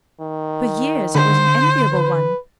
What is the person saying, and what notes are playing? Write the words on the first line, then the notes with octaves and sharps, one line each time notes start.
For years it was an enviable one.
D#3
D3 C5
B4